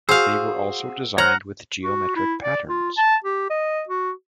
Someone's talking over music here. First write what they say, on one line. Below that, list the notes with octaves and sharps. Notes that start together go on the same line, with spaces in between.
They were also designed with geometric patterns.
F#4 G#4 C5 F5 E6
C5 C#5 F#5 A#5 F6 F#6 A#6
F#4
E4
D5
F4
A5
G4
D#5
F#4